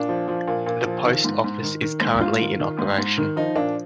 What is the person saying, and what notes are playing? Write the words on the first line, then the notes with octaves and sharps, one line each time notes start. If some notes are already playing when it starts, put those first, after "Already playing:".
The post office is currently in operation.
Already playing: A#2 D4
F3
F3
A#2
A#2
F3
D#3
G#2
G#2
D#3
D#3
G#2
G#2 F4
D#3
D#3
G#2
G#2
D#3
F3 D#4
A#2 D4